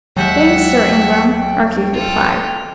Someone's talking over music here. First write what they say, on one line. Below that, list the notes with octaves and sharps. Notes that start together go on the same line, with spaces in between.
"Thanks, Sir Ingram," Archie replied.
D#2 F#3 G#3 E5 F#5 G5 G6
F4 A4